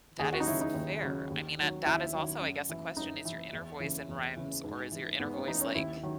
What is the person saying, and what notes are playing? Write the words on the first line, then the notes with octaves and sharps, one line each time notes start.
That is fair. I mean, uh, that is also, I guess, a question, is your inner voice in rhymes or is your inner voice, like,
D#2 G#4
F#4
D#4
C#3 F#3 E4
D#4
D#2
C#3 F#3
D#2
D#3 F#3
D#2 E4
D#3 F#3
F#2
E3
F#2 D#4
E3
E2
C#3 E3
E2
C#3 E3
G#2
E3
G#2 B3
C#4
E3 D#4
C#4
D#2 E4
D#3 F#3